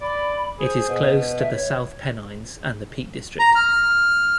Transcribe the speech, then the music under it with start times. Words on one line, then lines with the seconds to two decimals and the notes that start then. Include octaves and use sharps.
It is close to the South Pennines and the Peak District.
0.01 D5 B5
0.60 G#4 C5
0.88 B2
1.39 E5
1.54 C#5
3.39 A#5
3.55 F6